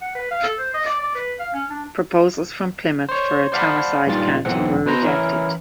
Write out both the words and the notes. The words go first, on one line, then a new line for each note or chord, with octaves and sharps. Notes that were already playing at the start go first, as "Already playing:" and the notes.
Proposals from Plymouth for a Tamarside county were rejected.
F#5
B4
F5
A4
C5
D#5
D5
D5
B4
F5
C#4
D4
C5 C#5
C5 D5 F5 F#5 A5 B5
G2 A#2 D#3 G#3 F4 A6
B1 G#2 E3 C4 F#5
B2 B4 C5 A#5
E3 C#4 E4 A#4